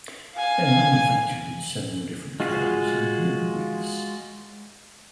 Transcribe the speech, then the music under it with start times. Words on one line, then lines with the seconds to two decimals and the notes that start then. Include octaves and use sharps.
They are manufactured in several different colors and nib widths.
0.35 F5 G#5
2.40 G#3 F4 F#4 G#4 F5